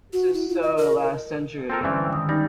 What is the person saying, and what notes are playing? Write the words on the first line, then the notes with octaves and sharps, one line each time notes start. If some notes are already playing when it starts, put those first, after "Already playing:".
This is so last century.
F#4
E4
F4
D#5
A#4
C4 A4 A#4
G2 D3 E3 G#3 C4 C#4
D#3 D#6
G3 D#4 A#6